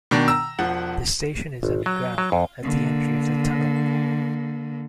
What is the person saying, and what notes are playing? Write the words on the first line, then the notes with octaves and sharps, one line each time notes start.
The station is underground, at the entry of the tunnel.
B2 D#3 D4
A#5 E6
E1 F3 F#5
G#1
F#3
F#3
F2
D3 A#3